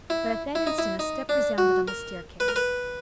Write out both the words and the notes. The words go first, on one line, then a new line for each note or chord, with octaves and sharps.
But at that instant a step resounded on the staircase.
E4
E4
D#4
E4
D#4
D4
F#4
A#4
B4
A#4
B4